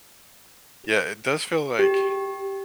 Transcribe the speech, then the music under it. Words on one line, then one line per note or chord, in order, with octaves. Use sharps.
Yeah. It does feel like
G4